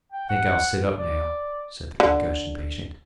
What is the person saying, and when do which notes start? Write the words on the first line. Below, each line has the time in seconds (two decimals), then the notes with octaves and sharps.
"I think I'll sit up now," said the concussion patient.
0.12 G5
0.29 F#5
0.96 D5
2.00 D3